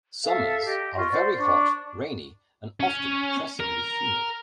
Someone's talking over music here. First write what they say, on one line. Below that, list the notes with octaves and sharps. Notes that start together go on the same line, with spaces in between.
Summers are very hot, rainy and often oppressively humid.
A4 E5 F5
G4 D#5
F4 D#5 C6 C#6
C5 D5 F#5
D4 C#6
C#4
A#4